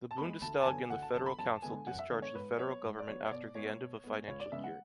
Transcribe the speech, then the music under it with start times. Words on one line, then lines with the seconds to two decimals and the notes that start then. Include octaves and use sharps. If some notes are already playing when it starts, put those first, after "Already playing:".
The Bundestag and the Federal Council discharge the Federal Government after the end of a financial year.
0.11 A5
0.18 G#3 B3 B5
0.42 D2 A5
0.62 A5
0.66 D3 F#3 B3 G#5
0.90 D2 F#5
1.02 A5
1.14 D3 F#3 B3 A5
1.26 B5
1.38 F#2 A5
1.62 D3 G#3 B3 G#5
1.87 F#2 F#5
1.99 E5
2.11 D3 G#3 B3
2.22 C#5
2.35 G#2 B4
2.59 F#3 B3 C#5
2.83 G#2
2.99 D5
3.07 F#3 B3 C#5
3.26 C#5
3.31 B2 D5
3.55 G#3 B3 C#5
3.79 B2
4.04 G#3 B3
4.28 C#2 C#5
4.40 D5
4.52 C#3 G#3 B3 E5
4.64 F#5